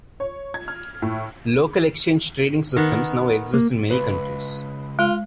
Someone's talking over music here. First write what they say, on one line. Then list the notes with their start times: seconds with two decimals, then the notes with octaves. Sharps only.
Local exchange trading systems now exist in many countries.
0.20 C#5
0.54 G#6
0.68 F6
1.02 A2
2.76 D#3 B3
3.54 A#3
3.90 C#2 B4
4.99 G#3 F4